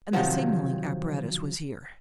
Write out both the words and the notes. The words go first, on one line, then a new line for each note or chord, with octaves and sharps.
And the signaling apparatus was here!
C3 D#3 F3 F#3